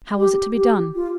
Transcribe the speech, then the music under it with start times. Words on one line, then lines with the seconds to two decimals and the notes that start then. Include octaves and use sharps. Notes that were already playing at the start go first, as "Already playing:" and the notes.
How was it to be done?
0.16 G4
0.56 G4
0.95 F4